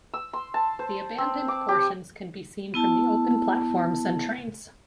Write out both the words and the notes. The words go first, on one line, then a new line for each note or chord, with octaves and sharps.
The abandoned portions can be seen from the open platforms and trains.
E6
C6
A5
C5
C4
D6
G4
B3 E4 A5